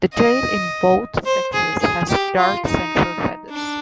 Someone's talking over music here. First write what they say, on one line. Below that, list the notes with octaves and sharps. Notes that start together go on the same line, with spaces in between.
The tail in both sexes has dark central feathers.
D#5
C5
G#4
G#4
G4
F4
D#4
D4